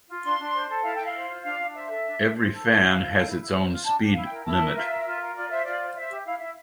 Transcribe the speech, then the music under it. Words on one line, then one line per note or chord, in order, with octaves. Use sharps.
Every fan has its own speed limit.
F4
D4 C6
D4
C5
A4
E4 F5
E4 G5
F5
C5
F4
D4 F5
D4
C5 E5
A4
D4
D4
C5
A4
E4 F5
E4 E5
F5
C5
A4
E4
E4
C5
F4
D4 A5
D4 G5
E4 F5
G5
A#4
G5
E4 A5
A#4
F4 E5
A#4
F4
A#4
F4 D5
C5 E5
F4 D5
C5
C5 E5
G4
E4 F5
E4 E5